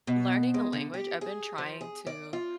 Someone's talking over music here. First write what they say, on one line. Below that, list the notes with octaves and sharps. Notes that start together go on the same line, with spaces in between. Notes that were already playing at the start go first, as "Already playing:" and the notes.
learning a language, I've been trying to
B2
G#3
D3
G4
G#4
F3
G#4
D5
F4